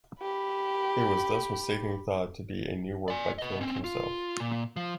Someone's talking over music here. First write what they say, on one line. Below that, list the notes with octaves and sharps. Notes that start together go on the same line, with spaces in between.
It was thus mistakenly thought to be a new work by Kant himself.
G4 B5
D5 G#5
B4 D#5
C4 C#4
F4
A#2
F3